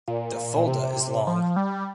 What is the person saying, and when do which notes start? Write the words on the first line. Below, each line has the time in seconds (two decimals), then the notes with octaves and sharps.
The Fulda is long.
0.08 A#2
0.56 A#2
0.68 C3
1.27 F3
1.56 G3